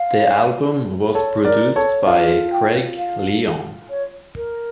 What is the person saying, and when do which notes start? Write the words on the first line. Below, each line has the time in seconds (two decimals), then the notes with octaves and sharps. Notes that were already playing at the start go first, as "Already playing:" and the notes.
The album was produced by Craig Leon.
Already playing: F5
1.15 A4 C#5
1.45 A#4 D5
1.76 A4 C#5
2.06 F4 A4 F5
2.52 G5
2.98 F5
3.90 C#5
4.36 A#4